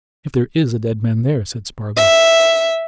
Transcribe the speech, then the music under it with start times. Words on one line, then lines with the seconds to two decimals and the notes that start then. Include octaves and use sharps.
"If there is a dead man there," said Spargo.
1.97 E5